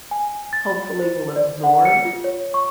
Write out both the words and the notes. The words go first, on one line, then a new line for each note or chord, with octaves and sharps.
hopefully will absorb
G#5
A6
C5
D5
F#5
C#7
F4
C#5
C#6